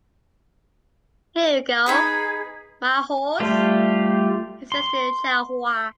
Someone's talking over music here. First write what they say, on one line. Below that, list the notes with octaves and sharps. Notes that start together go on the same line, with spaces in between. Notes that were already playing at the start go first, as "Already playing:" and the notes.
Here you go my horse, he says to Jahoua.
B3 D#4 G#4 B5
G3 A3 F4 G4
C6